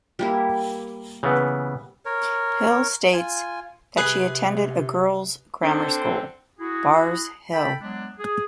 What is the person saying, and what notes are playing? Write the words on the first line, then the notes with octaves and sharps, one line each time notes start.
Hill states that she attended a girls' grammar school, Barr's Hill.
G3 A#3 E4
C#3 E3 B3
A#4 C#5
F4 G#5
C3 G#4 B4 G#5
D3 C4 D4
E4 F#4 G#4
A4 G5 A5 B5
F#3 G#3 B3 D4
G#4